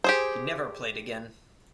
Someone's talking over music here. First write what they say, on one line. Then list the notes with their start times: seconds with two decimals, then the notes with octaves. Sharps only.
He never played again.
0.04 G4 G#4 C5